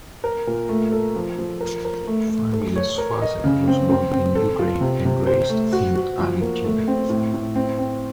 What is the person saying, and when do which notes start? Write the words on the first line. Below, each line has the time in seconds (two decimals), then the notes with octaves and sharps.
Farmiga's father was born in Ukraine and raised in Argentina.
0.24 A#4
0.47 A#2
0.69 A3
0.92 A4
1.16 F3
1.38 F3
1.60 A#4
1.85 A#4
2.07 A3
2.29 A3
2.53 A4
2.76 C#5
2.98 A#4
3.21 D#5
3.44 C#3
3.68 C4
3.90 C4
4.13 C4
4.35 A4
4.59 F4
4.81 C3
5.05 C3
5.27 C5
5.50 A3
5.72 F#4
5.95 F#4
6.19 F3
6.41 A#3
6.64 A3
6.88 C4
7.10 A2
7.34 A2
7.55 C4
7.78 C4